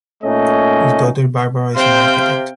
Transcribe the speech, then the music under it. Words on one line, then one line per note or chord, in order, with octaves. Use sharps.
His daughter Barbara is an architect.
A#2 A3 C#4 D#4 D#5
C3 C4 C5 F5 G5